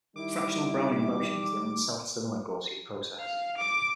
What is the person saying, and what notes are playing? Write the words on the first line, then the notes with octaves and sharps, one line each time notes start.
Fractional Brownian motion is the only self-similar Gaussian process.
D#3 G3 E4 D6
F5
D6